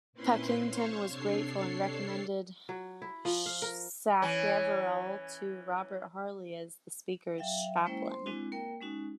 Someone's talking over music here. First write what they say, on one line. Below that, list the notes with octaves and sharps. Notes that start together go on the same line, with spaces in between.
Pakington was grateful and recommended Sacheverell to Robert Harley as the Speaker's chaplain.
A#2 C4 C#4 E4 B4 C6
C5 C#5 F5 C6 C#6
C3 D4 A4 C#5 C7
F#3
E4
F3
F5
A#4
E3 C#4
F#3 E5 F5 G5
G#3 A#3 C#4 E4 C5 G5
C5 C6
G#3 C4 D4 E4 F#4
A#3 A#4 G5
G#3 C#4 D#4 F#4